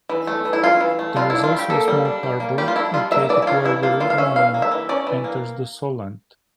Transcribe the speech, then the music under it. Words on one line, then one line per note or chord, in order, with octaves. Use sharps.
There is also a small harbour, located where the River Meon enters the Solent.
E3
A3
E3
E4
C#4 F4
E3
A3
G3 F4
D4 E4
F4
G3
G4
A#3 A4
G3
D4
G3
A#3
G3 G4
F4
D4 E4
G3 F4
A#3 E5
E3 D5
E4
C#4 F4
E3 E4
A#3 F4
E3 F4
F5
C#4 E5
E3 F5
A#3
E5
E3
C#4 D5
E3
A#3